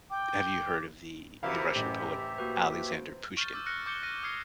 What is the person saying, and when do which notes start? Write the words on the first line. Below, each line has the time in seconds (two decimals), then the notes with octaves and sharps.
have you heard of the the Russian poet Alexander Pushkin?
0.10 G5 D6
1.43 G#2 C3 E3 E4 F#4 A#4 E5 F5
1.75 A1 F#2 G4 E5
2.38 A#3 F#4 B4
3.37 C#6 F6 G6 A6
3.53 D6 E6 G6
3.66 F6 F#6 A#6 C#7
3.86 D6 G6 C#7 G7
4.03 F6 A#6 D#7
4.23 D#6 F6 G6 G#6 C7 C#7